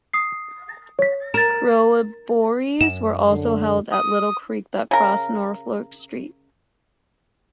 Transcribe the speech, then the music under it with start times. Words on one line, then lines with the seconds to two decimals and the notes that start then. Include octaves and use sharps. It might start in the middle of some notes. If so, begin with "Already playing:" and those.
Corroborees were also held at a little creek that crossed Norfolk Street.
0.13 D#6 C7
0.99 C#5 B6
1.34 A#4 A6 E7
2.81 F#2 E7
3.29 D3
3.92 D#6
4.91 C#3 A#4